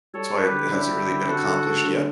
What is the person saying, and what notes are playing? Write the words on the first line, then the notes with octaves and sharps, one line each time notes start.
it's why has it really been accomplished yet?
G3 A4 C#5
G3
G4 B4
D3
D4 E4 G4
D3
D3
D3 F#4 A4
D3
A3
D3